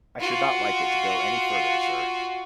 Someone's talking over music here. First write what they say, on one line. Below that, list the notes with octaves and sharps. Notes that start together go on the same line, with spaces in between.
I should not like it to go any further, sir.
F4 F#4